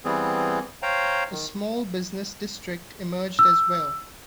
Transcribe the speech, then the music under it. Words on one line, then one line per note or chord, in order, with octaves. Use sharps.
A small business district emerged as well.
E3 G3 B3 C4 G#4
C5 C#5 F5 G5 A#5
D#3
E6